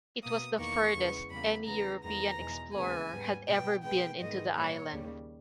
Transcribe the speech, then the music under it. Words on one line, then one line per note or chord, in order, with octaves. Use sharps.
It was the furthest any European explorer had ever been into the island.
B2 A#3 D#6
E2 D#3 A#3 C#6
E2 C#3 G#3 B3
E2 C#3 G3 A#3 B5
E2 C#3 G#3 B3 A#5
E2 D#3 G#3 B3 A#5
E2 B2 G#3
D#2 C#3 G#3 B3 G#5
G#2 G3 B3
B2 G3 B3 G5
B2 G#3 B3 G5
G#2 D#3 G#3 B3 D#5
A#2 G3 A#3 C#5
D#2 C#3 G3